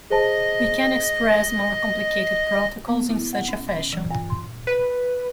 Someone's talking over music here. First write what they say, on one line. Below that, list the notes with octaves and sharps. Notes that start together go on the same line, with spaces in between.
We can express more complicated protocols in such a fashion.
G#4 C5 D#5 A5
B3
E4
F#5
C#4
C#4
E3
G2
C6
B4